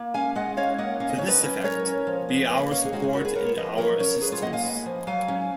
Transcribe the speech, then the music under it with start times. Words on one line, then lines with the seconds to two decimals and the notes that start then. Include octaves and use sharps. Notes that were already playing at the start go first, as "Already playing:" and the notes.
To this effect, be our support and our assistance.
Already playing: A#3
0.14 C#4 F5 G#5
0.35 G#3 D#5 F#5
0.57 C#4 C#5 F5
0.78 A#3 D#5 F#5
1.00 C#4 F5
1.09 D#5
1.18 F#3 C#5
1.28 B4 D#5
1.43 C#4
1.64 F#3 A#4 C#5
1.86 C#4
2.07 F3
2.29 B3
2.50 A#3 B4 D#5
2.71 C#4 C#5 F5
2.85 G#4
2.92 G#3 D#4 F#4
3.04 F4 G#4
3.13 B3 F#4 A#4
3.25 G#4 B4
3.35 B3 A#4 C#5
3.57 F3 B4 D#5
3.78 F#3 A#4 C#5
3.99 C#4 A#4 C#5
4.21 F#3 G#4 B4
4.32 F4 G#4
4.42 A#3 D#5 F#5
4.53 F5 G#5
4.64 B3
4.86 F3
5.07 F#3 F5 G#5
5.28 C#4